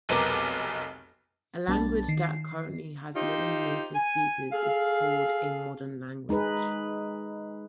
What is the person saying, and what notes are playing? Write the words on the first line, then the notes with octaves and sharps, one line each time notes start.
A language that currently has living native speakers is called a modern language.
F1 B1 B3 A#4 D6
B1 G3 B3 D4 A5 A6
D#3 C7
D#4 F4 G4 C5
G#5
G#4 A4 F5
G#3 D#4 G#4 B4